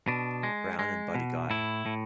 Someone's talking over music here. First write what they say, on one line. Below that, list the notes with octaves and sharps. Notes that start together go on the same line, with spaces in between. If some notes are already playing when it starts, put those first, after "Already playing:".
Brown and Buddy Guy.
B2 D4
G#3
G#3
B2
A2 E4
A2